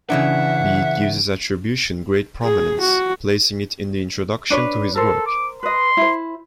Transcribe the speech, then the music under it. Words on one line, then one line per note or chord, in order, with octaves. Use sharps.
Bede gives this attribution great prominence, placing it in the introduction to his work.
C#3 E3 D4 E5 F#5
G#4
F#4
D4 B4 C#5
A4 A#4 C5
D6
B4 D#5 C6
E4 C5